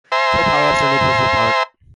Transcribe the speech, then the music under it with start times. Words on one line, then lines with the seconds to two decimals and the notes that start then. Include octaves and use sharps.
Four power-ups are needed for full power.
0.12 C5 E5 G#5 A#5 C6